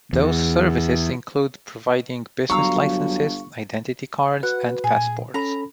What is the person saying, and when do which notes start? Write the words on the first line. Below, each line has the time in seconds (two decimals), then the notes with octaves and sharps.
Those services include providing business licenses, identity cards and passports.
0.13 E2
2.50 G1 F#3 F5 A#5 C#6 E6
4.43 F#4 B4 F#5
4.84 A#2 G#4
5.34 C#4 A4 A#5 B5